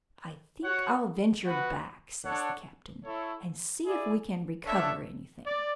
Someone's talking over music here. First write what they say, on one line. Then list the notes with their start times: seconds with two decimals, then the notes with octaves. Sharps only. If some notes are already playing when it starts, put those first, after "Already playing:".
"I think I'll venture back," says the captain, "and see if we can recover anything."
0.64 F#4 C#5 F#5
1.44 B3 F#4 B4 F#5
2.24 D4 A4 C#5 F#5
3.04 E4 A4 C#5
3.85 E4 G#4 D5
4.64 D4 A4 C#5 E5
5.45 D5